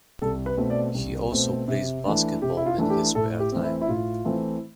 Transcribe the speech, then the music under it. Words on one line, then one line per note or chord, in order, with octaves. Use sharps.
He also plays basketball in his spare time.
C2 A4
B4
B2 A3 C4
D5
C2
B2 A3 C4
C3
E3 A3 D4
C3 G4
E4
F4
E3 A3 D4
G4
A2 A4
G4
E3 A3 C4
E4
E4
A2 F4
E3 A3 C4